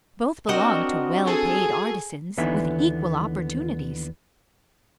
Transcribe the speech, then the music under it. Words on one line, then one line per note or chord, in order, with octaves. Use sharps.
Both belong to well-paid artisans with equal opportunities.
C4 D4 F#4 A#4 D#5 G5
G#4 A4
D#2 D3 E3 B3 D#4 E5